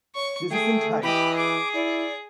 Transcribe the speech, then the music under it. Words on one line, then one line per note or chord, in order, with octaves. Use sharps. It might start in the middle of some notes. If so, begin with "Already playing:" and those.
This isn't hype.
C#5 C#6
A3 G#4 G5
E3 G4 D#5 B5
G#4 D6
E4 D5